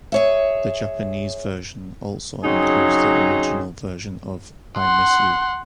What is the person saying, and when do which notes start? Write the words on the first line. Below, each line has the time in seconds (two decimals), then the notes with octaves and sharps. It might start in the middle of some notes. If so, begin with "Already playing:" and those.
The Japanese version also includes the original version of "I Miss You".
0.12 G#4 C#5 E5
2.44 C#3 F#3 C4 D#4 G#4
4.78 F#5 C6